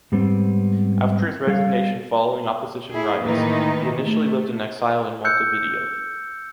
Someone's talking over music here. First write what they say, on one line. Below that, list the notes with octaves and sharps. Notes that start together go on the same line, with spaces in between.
After his resignation following opposition riots, he initially lived in exile in Montevideo.
G#2 G3 B3 C4
G3 A4 C#5 F5
E4 G#4
A2 D#3 E3 A#3 D#4
A3
E6 F#6 G6 C#7